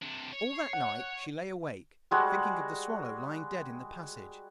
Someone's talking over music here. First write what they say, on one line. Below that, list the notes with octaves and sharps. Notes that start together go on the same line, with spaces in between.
All that night she lay awake, thinking of the swallow lying dead in the passage.
C3 D4
C#5
C7
F#5
G3 G#3 F#4